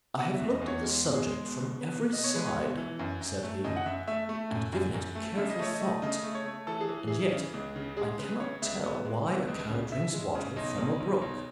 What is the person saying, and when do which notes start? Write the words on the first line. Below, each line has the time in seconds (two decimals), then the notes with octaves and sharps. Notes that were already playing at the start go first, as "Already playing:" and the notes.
"I have looked at the subject from every side," said he, "and given it careful thought, and yet I cannot tell why a cow drinks water from a brook."
0.18 B2 F#5
0.35 E5
0.40 E2
0.50 D#5
0.61 E2
0.67 C#5
0.83 G#3
1.05 B2
1.15 G#4
1.26 G#3
1.48 B2
1.69 B2
1.81 B4
1.91 B2
2.13 B2 D#5
2.24 C#5
2.34 G#3 B4
2.47 C#5
2.56 B2
2.77 E3
2.99 F#2
3.21 F#2
3.43 A3
3.64 F#2 D#5
3.76 F#5
3.86 F#2 E5
4.08 A3 E5
4.29 A3
4.50 F#2
4.72 F#2
4.94 F#2
5.15 A3
5.37 C#3 E5
5.49 D#5
5.59 A3 C#5
5.74 D#5
5.80 A3
6.02 C#3 D#5
6.23 A3
6.35 C#5
6.46 A3
6.67 E3 A4
6.81 G#4
6.89 E3
7.07 E3 G#4
7.32 C#3
7.53 C#2
7.76 C#3
7.97 G#3 G#4
8.18 C#3 B4
8.40 C#3 C#5
8.62 C#2 E5
8.84 B3
9.05 G#3
9.27 B3
9.48 C#2
9.69 C#3
9.92 C#3 E5
10.13 G#3
10.35 C#3
10.56 B1 D#5
10.78 B1
11.00 B1
11.21 B1